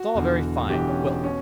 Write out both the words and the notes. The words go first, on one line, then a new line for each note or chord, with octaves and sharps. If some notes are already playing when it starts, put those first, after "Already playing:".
'It's all very fine--Well!
Already playing: F#4
E1 E2 D3
E1 E2 D3 G4
C#4
B2 C#4